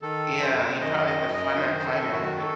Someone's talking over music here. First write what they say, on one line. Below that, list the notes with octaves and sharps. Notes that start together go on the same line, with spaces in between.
Yeah, you probably have to finan finance it.
D#3 A4
F#2
C5
F#2
D#3 D#5
F#2 D#5
F#2 D#5
D#3 C5
F#2 A4
D#3 F#4
A4